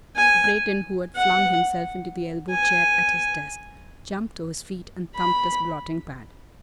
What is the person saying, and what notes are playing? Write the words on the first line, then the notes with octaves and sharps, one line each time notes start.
Breton, who had flung himself into the elbow-chair at his desk, jumped to his feet and thumped his blotting-pad.
G#5
F#5
G#5
B5